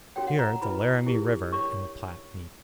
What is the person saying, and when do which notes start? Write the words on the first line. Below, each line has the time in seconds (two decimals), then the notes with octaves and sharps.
Here the Laramie River and the Platte meet.
0.16 C#4 F#4 A#4 C#5 G5
0.27 F#5
0.39 A#5
0.62 E4 B4 B5
1.06 E4 G4 A#4
1.52 D4 A#4 C#5 C#6